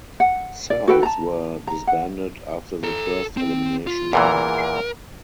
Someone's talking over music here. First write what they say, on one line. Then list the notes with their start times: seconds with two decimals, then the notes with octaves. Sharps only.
Cells were disbanded after the first elimination round.
0.20 F#5
0.70 D5
0.88 F#4 A4 B4 G5
1.03 A5 A#5
1.67 A#5
1.87 F#5
2.84 A4 A#5
3.37 C4
3.87 F4
4.13 E2 A#2 E3 A#4